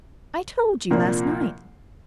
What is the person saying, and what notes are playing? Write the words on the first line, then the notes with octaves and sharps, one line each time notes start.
"I told you last night."
C2 A#2 F3 A#3 D4